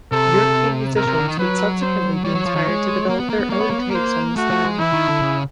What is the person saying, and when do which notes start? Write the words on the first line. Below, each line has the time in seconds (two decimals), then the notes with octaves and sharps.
European musicians would subsequently be inspired to develop their own takes on the style.
0.12 C3 A4
0.96 C3 A#4
1.07 C3
1.18 D3
1.28 D#3
1.39 F#3 B4
1.82 C5
2.24 G3 C#5
2.35 F#3
2.46 F3
2.55 D#3
2.67 G#3
3.10 A#3
3.20 B3
3.30 A#3
3.40 B3
3.50 A#3 C#5
3.60 B3
3.70 A#3
3.80 B3
3.91 A#3 C5
4.36 A3 F#4
4.51 A3
4.65 G#3
4.79 E3 E4
4.93 D#3
5.08 D3
5.22 C#3